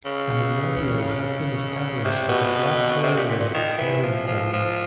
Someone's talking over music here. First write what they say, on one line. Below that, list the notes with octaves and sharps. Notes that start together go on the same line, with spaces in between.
A memorial has been established at the Black Loyalist Burying Ground.
C#3
C3
B2
C3
A#2
A#2
A#2
D#3
E3
F3
F3
F3